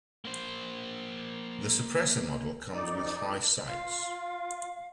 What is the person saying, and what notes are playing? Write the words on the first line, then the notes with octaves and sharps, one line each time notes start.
The Suppressor model comes with high sights.
A#3 C5
F2 D#4 D5
F4 F5